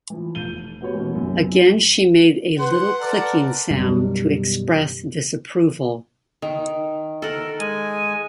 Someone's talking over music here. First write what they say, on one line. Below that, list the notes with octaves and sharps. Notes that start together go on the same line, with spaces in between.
Again she made a little clicking sound to express disapproval.
E3 F3
F1 G6 D#7 G7
B3 F#4 G4 C#5
B2 E3 A#3 C#4
B1 F#2 A#3
B4 C5 F#5
A4 A#4 D5
F#2 B2 D#3 G3
D#3
A4 A#4 F#5
G#3 G#5